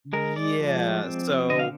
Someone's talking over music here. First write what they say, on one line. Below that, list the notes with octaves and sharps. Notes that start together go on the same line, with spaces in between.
Yeah, so
G#3 A#4
D5
F3
C4
D3 D#5
F5